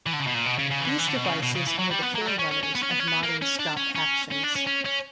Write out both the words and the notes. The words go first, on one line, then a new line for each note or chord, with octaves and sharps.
These devices were the forerunners of modern stop actions.
E3
D3
C#3
B2
A#2
B2
C#3
C#3
E3
D3
E3
D3
B2
C#3
B2
C#3
E3
F#3
G3
B3
A#3
F#3
G3
C#4
C#4
C#4
B3
C#4
B3
C#4
B3
A#3
C#4
D4
C#4
C#4
C#4
D4
C#4
C#4
C#4